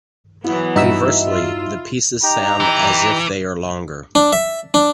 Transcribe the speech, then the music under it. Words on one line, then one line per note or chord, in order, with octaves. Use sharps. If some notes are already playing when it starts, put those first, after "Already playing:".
Conversely, the pieces sound as if they are longer.
E3 F#3 B3 E4
G2 D#4 F#4 E5 E6
F4
D#4 G4 G5 A#5
E3
D4
E5
D4